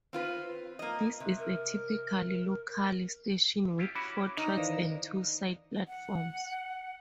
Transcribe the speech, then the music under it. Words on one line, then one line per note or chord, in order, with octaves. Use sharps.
This is a typical local station with four tracks and two side platforms.
C4 F4 B4
A#3 D#5
C3
A#4
E4 F4 G4
C#4 E4 F#4 B5 D6
D#4 A#5
D#3 E3 C5 D5 F5
F#5